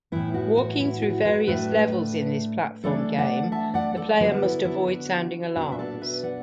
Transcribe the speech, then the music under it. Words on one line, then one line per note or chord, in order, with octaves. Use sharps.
Walking through various levels in this platform game, the player must avoid sounding alarms.
A2 E3 B3 E4
F#4
F#4
E4
F#4
F#4 B4
A2 A3 D4 B4 E5
E3 A3 D4 A4 D5
D5 F#5
E5 A5
D5 F#5
A4 D5
D3 F#3 B3 D4 F#4 B4
E4 A4
E4 A4
F#4
B2 B3 D4 F#4
E5
A4 D5
B4 E5
D5 F#5